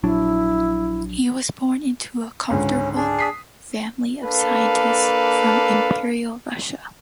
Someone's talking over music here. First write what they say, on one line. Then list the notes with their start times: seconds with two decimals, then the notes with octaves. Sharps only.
He was born into a comfortable family of scientists from Imperial Russia.
0.04 A#1 F#3 D4 E4
2.50 C#2 G#2 D3 C#4
2.96 D4 G#4
3.19 D#6 B6 C7
4.25 A#3 D4 A4 B4 F5